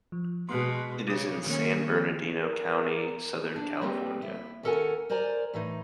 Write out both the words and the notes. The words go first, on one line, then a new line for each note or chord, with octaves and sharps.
It is in San Bernardino County, Southern California.
F3
B2 G#3 C6 F6 F#6
C#3 D6 D#6
D#3 A#3 C#4
A#4
D4
G3 A#3 C4 B4
E4
D#2 C#4 A4 A#4 F#5 G#5
A#4 C5 D5 G#5 A#5
A2 E3 D#4